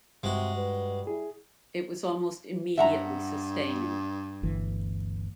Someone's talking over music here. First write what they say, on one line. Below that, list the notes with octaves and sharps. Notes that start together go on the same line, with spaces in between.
It was almost immediately sustaining.
G2 C3 G#3 F#4
G3 B4
E4 G#4
G2 E5 F#5 A#5
G1 D2 E3